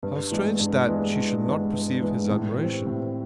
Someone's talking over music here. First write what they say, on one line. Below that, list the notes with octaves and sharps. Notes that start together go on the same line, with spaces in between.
How strange that she should not perceive his admiration!
G2
E3 G#3 B3
G2
E3 G#3 B3
G2
E3 G#3 B3
G2
E3 G#3 B3
A2
E3 G3 C4
A2